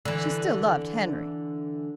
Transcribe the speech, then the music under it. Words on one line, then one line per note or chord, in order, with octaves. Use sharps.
She still loved Henry.
D3 E3